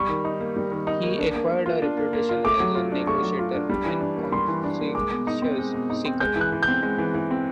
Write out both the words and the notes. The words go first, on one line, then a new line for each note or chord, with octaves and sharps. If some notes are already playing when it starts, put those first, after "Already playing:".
He acquired a reputation as a negotiator and consensus seeker.
Already playing: G3 C#6
D#3
D#4
A#3
G3
D#3
D#4
A#3
D4
A#3
A#3
F4
D4
A#3
A#3
F4
A3 D6
F#3
F4
D4
A3 C#6
F#3
F4
D4
G3
E3
D4
A#3
G3 C6
E3
D4
A#3
G#3 D6
B2
D#4
C4
G#3
B2
D#4
C4
G#3 G6
E3
F#6
E3
G6
C4
G#3
E3
E3
C4